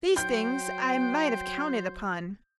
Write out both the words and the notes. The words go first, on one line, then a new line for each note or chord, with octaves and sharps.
These things I might have counted upon.
F#3 C5 G5 G6